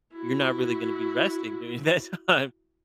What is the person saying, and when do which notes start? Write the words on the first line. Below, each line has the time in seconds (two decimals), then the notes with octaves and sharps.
you're not really gonna be resting during that time,
0.13 E4 F#4